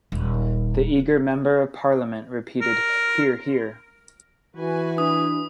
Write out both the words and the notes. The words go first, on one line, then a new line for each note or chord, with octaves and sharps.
The eager Member of Parliament repeated hear, hear.
D#1
A#4
E3 F#4 B4 G#5
D4 D#6